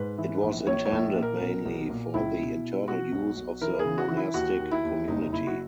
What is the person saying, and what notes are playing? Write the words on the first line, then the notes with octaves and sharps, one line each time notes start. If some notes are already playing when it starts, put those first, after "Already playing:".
It was intended mainly for the internal use of the monastic community.
Already playing: G#2 B4
E3
A#1
A#1 C#5
C#5
A#1
A#2
A#4
B1
B1
A#2
C#2 E4
B2
B2
B2 F#4
B1
B1
E3 A#4
G#4
C#3
F#4
E3 F#4
E4
D#2 F#4
D#3
E4
D#2
F#1 D#4
F#1 E4
F#4